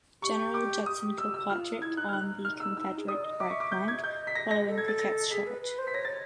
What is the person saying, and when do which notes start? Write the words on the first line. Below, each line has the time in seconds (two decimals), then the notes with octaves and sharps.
General Judson Kilpatrick on the Confederate right flank, following Pickett's Charge.
0.22 G4 C#6
0.54 D6
0.86 G4 D#6
1.18 E6
1.34 E6
1.49 F4 F6
1.81 E4 G#6
1.97 D#4 F#6
2.09 F6
2.13 D#4 F#6
2.45 F6
2.60 E6
2.77 D#4 E6
2.87 D#4
2.98 G#4
3.08 D5 D#6
3.24 D#5
3.40 E5 D6
3.50 C#6
3.60 D6
3.72 G6
3.88 G#6
4.03 D#5 G6
4.27 B6
4.35 A#6
4.51 A#6
4.67 A4
4.78 G#6
4.88 A6
4.99 A#6
5.31 G#4 B6
5.47 B4
5.62 B4
5.79 C5
5.87 B6
5.94 C#5 A#6
6.05 A6
6.09 C#5